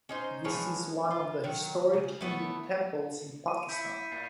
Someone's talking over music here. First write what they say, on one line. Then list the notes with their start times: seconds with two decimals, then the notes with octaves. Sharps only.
This is one of the historic Hindu temples in Pakistan.
0.09 C#4 D#4 C5
0.44 E3 F3 G#3 C#5
1.11 F4
1.44 D#3 F#3
1.94 C#3
2.21 A3 B3 E4 C#5
3.48 D#7
3.69 E4 G6 B6 C#7
4.12 A#2 C7